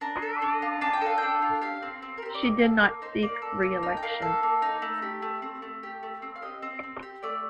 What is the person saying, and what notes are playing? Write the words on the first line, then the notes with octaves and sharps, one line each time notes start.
She did not seek re-election.
D4 A#5
A4
D4
F4
D4 A5
G5
A4 F5
D4 G5
F4
G4 F5
C4
C4
A#4
G4 C5
D5
A#3 D#5
G5
A4 F5
A#3 D#5
D#4 C5
A#3 D5
A4
A#3
D#4
G5
A#3 F5
A4
A#3
D#4
A3
G4
A3
C4
A3
G4
A3
C4
F5
G4 D#5
C4
C4
G4
A3 D5